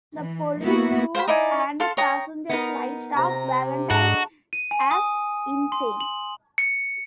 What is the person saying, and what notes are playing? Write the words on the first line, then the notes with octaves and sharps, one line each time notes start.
The police, crew, and passengers write off Valentine as insane.
E3
A#3 B3 E4 F#4
C5 F5 G#5 B5
D#4 E4 D5 G#5
A4 F5 A5 C6
C#5 G5 A#5 D#6
B3 D#4 A#4
C3 A#5
G#2 D3 G#3 D4 F#4 A5 A#5
D#7
G#5
D#6
C6
F#7
C#7